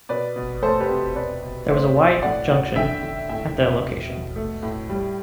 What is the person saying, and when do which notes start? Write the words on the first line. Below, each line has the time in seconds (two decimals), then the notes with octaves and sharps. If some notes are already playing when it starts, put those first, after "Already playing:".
There was a wye junction at the location.
0.09 B2 B4 D5
0.36 B2
0.62 A3 A4 C5
0.80 G4 B4
0.89 C3
1.16 B2 B4 D5
1.43 B2
1.69 A3 C5 E5
1.96 B2
2.22 A2 D5 F#5
2.50 A2
2.76 D3 E5 G5
3.03 D3
3.29 A2 E5 G5
3.56 A2
3.83 B2
4.10 B2
4.36 A3
4.63 A2
4.89 G3